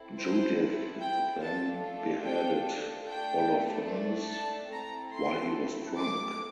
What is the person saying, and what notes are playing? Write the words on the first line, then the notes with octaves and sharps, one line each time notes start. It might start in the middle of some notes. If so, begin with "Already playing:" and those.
Judith then beheaded Holofernes while he was drunk.
Already playing: C4 E4 A4
C5
G5
A3 D4 F4 A4 A5
G5
A3 D4 A4 G5
A5
A3 C4 E4 A4 A#5
C6
D6